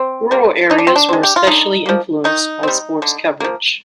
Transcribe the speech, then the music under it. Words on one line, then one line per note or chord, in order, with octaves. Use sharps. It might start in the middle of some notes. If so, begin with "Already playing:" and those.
Rural areas were especially influenced by sports coverage.
Already playing: C4
G3 A#3
D3 D#4
D4
C4
D4
G#3 C4
G4
F4
D3 D#4
F3 A#3
D#3 D#4
G3 C4
D3
F3 A#3